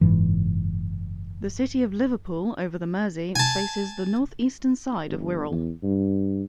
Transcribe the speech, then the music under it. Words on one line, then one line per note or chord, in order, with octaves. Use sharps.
The city of Liverpool over the Mersey, faces the northeastern side of Wirral.
F#1 G#2 E3
G#5 A5
G1
E2
G2